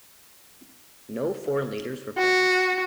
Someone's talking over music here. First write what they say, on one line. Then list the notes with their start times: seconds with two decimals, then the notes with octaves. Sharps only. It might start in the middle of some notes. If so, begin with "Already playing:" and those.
No foreign leaders were present.
2.18 F#4